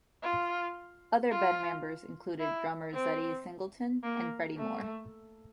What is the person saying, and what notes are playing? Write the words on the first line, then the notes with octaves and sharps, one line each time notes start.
Other band members included drummers Zutty Singleton and Freddie Moore.
F4
F4
E4
C4
A#3
A3